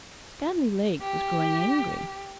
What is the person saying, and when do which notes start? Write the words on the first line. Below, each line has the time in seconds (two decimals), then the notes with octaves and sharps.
Stanley Lake was growing angry.
1.01 G4